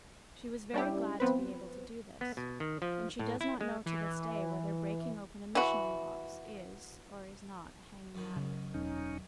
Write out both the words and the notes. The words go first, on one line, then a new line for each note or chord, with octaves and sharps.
She was very glad to be able to do this, and she does not know to this day whether breaking open a missionary-box is or is not a hanging matter.
G3 C#4 D4 E4 G4
F3 B3 C4 B4
B3
B2
D#3
F3
A2
E4
G#3
E3
E3 F#4
F#2 D#3
C#3
E1 C#4 D#4